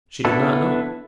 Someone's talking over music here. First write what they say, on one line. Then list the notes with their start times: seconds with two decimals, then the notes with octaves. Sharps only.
She did not know.
0.25 B3 D4 E4 A4